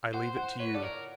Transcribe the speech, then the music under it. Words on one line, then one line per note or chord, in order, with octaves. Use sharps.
I leave it to you.
C5 F#5
F#5
B4 C#5
A4 D5
A#4 C#5